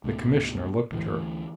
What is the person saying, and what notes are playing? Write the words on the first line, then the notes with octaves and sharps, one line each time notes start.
The Commissioner looked at her.
C#2 G#2 B2 A3
D2 E3 A3